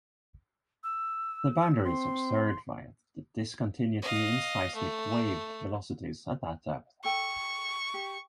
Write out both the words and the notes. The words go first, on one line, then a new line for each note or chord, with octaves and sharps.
The boundary is observed via the discontinuity in seismic wave velocities at that depth.
E6
C4 C6
D#5 F5
A3
A4 G5 C#6
G4